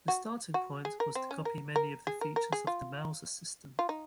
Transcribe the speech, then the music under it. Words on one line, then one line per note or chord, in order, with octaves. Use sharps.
The starting point was to copy many of the features of the Mauser system.
F#4
F#4
G#4
A#4
C4
C#4
A#4
A#4
G#4
A#4
A#4
G#4
F4
F4
D#4